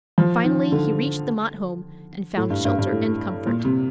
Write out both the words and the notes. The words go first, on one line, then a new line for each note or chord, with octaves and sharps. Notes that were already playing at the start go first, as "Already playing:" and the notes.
Finally he reached the Mott home, and found shelter and comfort.
F3
D#3
D3
A2
G2
G2
G2
A2
A#2
C3